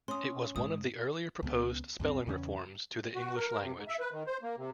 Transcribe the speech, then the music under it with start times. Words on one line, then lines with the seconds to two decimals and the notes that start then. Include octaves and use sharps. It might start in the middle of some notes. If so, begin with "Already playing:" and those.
It was one of the earlier proposed spelling reforms to the English language.
0.08 C#4 C6 D#6
0.56 G#2 D#6
1.43 C#2 C#3 B3
2.00 C2 F#2 F#3 C4
2.27 E2 C#3 C4 C#4
3.15 F#4
3.36 A#4
3.47 A#4
3.61 C3
3.76 G#2
3.88 E5
4.00 B4
4.12 D#3
4.27 C5
4.43 A#3
4.57 C3